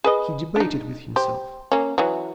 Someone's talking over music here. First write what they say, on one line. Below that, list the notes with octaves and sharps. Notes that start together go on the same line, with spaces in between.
He debated with himself.
G#4 B4 D#5
D4 D#4
G4 C5
A#3 C#4
E3 F#3